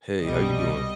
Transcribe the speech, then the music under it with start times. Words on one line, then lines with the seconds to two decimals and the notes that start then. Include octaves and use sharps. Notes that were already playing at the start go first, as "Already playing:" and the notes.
Hey, how you doing?
0.21 C2 B2 G3 D#5